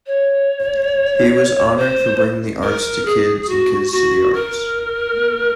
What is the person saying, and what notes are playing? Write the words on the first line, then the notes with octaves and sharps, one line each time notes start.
He was honored for bringing the arts to kids and kids to the arts.
C#5
C5
A#4
G#4
F#4
F#4
A#4